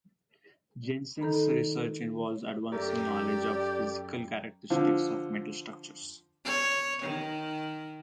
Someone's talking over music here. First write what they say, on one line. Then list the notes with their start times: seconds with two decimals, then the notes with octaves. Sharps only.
Jensen's research involves advancing knowledge of the physical characteristics of metal structures.
1.21 D#3 D#4 A4 A#5 B5
2.72 F#2 A3 G4 A#4 D5 G5
4.70 D3 F3
6.45 C#5
7.03 D#3